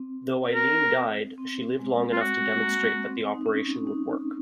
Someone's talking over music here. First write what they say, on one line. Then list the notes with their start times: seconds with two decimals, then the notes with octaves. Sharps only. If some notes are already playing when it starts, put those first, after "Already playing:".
Though Eileen died, she lived long enough to demonstrate that the operation would work.
Already playing: C4
0.55 A#4
1.38 C4
1.79 G#3
2.12 F4
2.21 G#3 F#4
2.57 G#3
2.63 A#3
3.04 C4
3.34 D#4
3.46 C#4
3.87 D#4